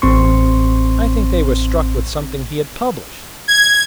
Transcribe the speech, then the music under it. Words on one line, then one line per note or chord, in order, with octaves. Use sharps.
"I think they were struck with something he had published."
A1 C4 C6 C#6
G#6